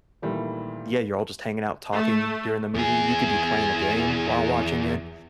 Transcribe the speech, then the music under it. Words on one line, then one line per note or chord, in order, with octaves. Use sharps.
yeah, you're all just hanging out talking during the movie. You could be playing a game while watching it.
A#2 D#3 E3 G3 A3
A3
E2 G#4